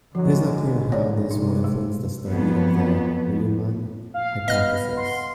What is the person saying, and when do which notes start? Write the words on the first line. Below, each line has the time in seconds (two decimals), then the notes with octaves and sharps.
It is not clear how this will influence the study of the Riemann hypothesis.
0.15 D3 F3 F#3 G#3
0.62 A#1
0.92 A#1 C#5 D5
1.31 C3 D#4
1.64 G#3
2.28 F2 B3
4.14 F5
4.48 B3 D#5 F6
4.97 C6